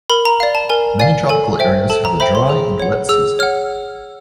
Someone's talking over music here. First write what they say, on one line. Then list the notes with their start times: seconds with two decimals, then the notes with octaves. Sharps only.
Many tropical areas have a dry and wet season.
0.10 A#4 B5
0.25 A#5
0.40 D5 F5
0.55 A5
0.69 A#4 G#5
0.99 D5 F5 G#5
1.29 A4 G#5
1.59 C5 E5 G5
1.90 A4 A5
2.05 A#5
2.20 C5 E5 G5 B5
2.35 C6
2.49 G#4
2.80 C#5 F#5
3.09 G#4 E6
3.39 C#5 F#5 F6